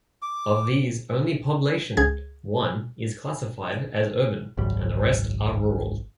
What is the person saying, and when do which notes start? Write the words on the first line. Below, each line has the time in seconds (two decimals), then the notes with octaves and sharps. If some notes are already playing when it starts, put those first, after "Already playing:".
Of these, only Poblacion I is classified as urban and the rest are rural.
0.22 D6
1.97 C#2 G#4 G#6
4.57 G#1 C#2 F#2 G3